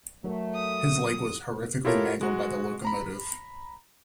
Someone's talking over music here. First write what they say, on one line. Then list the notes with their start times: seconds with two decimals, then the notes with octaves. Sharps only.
His leg was horrifically mangled by the locomotive.
0.24 F#3 A3 A#4
0.55 D#6
1.85 E4 F4 G4 A4 A#4 C#5
2.21 G#3 F#4
2.85 A#5 B5